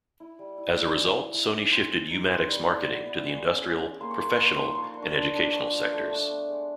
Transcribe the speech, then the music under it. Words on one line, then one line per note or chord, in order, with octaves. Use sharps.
As a result, Sony shifted U-Matic's marketing to the industrial, professional, and educational sectors.
E4
G3
E4
E4
G#3
E4
E4
E4
C4 C6
C4
D#4
C4
G3
E4
B3
B3
G#3
C#4
G#3
G#3
A#3 C6
C#6
A#3 C6
C#6
A#3 C6
C#6
D#4 C6
C#6
F3 C6
C#6
D4 C6
C#6
D4 C6
D4
F3 C#6
F3
A3
D4
B3
G#3